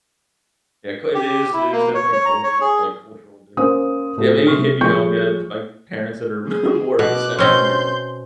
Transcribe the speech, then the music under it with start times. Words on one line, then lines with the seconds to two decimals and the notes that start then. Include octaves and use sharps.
Yeah, 'ca it is it is definitely culture like, cultural differences Yeah, maybe a hippie home, yeah. Like, parents that are more accepting or
1.14 G4
1.53 E4
1.72 A#3
1.94 C#5
2.13 C#5
2.26 A#5
2.44 C#5
2.61 G#4
3.57 A#3 C#4 A#4 C5 D#6
4.17 A2 A3 F4 G4
4.47 C3 C#6 F6
4.81 F3 G3 G#4 C#6 G6 C#7
6.47 G#4
6.99 B2 D6 F#6
7.38 B2 C4 C#4 C6 G6